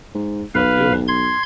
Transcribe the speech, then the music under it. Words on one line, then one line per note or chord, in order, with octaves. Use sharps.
He felt ill.
G#2
B1 B4 F5
C6 G#6